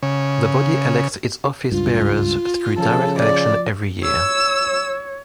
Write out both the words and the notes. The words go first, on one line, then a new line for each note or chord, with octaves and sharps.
The body elects its office bearers through direct election every year.
C#3
C#2 G2 F4
C#3 F3 A4
D5
C#5 E6